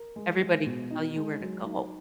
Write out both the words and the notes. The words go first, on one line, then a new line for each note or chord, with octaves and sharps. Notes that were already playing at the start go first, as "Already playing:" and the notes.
everybody will tell you where to go,
Already playing: A#4
G#3
G#3
B2
D#4
G#3
F#3
D#4